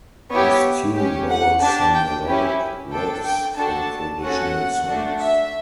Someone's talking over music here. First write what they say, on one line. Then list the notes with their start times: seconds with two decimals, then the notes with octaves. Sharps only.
This tune borrows some melodic riffs from traditional songs.
0.30 B3 E4 G4 C#5
0.95 C#4 G4
1.28 F#5
1.61 D4 G4 A5
1.93 G5
2.26 C#4 E4 G4
2.91 D4 A4 G5
3.24 G5
3.56 D4 F#4 A4 A5
4.21 C#4 F#4 A4 F#5
4.87 A3 D4 F#4
5.19 E5